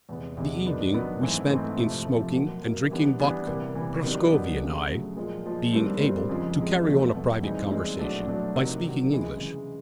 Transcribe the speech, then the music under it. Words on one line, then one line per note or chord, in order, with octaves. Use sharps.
The evening we spent in smoking and drinking vodka, Prascovie and I being able to carry on a private conversation by speaking English.
E2 C3 E3 G#3 B3
E2 C3 E3 G#3 B3
D#3 F#3 B3 D4
D#3 F#3 B3 D4
G#2 E3 A3 C4
G#2 E3 A3 C4
F2 C3 F3 A3
F2 C3 F3 A3
B2 F#3 A#3
B2 F#3 A#3
E3 G3 B3 D4
E3 G3 B3 D4
C3 E3 G3 A#3
C3 E3 G3 A#3
D#3 F#3 B3 D4 G4
D#3 F#3 B3 D4 G4
C#3 F#3 A3
C#3 F#3 A3
A#2 F3 G#3
A#2 F3 G#3
G2 D#3 G3 C4
G2 D#3 G3 C4
F2 C#3 F3 G#3
F2 C#3 F3 G#3
E2 B2 F#3 A3
E2 B2 F#3 A3
G2 E3 G#3 C4 D#4
G2 E3 G#3 C4 D#4
B2 F#3 A3 D4
B2 F#3 A3 D4
C3 D#3 F#3
C3 D#3 F#3
C#3 E3 G#3
C#3 E3 G#3